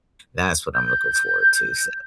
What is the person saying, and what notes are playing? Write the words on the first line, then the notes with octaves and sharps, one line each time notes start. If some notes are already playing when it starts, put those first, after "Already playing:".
that's what I'm looking forward to, so
G6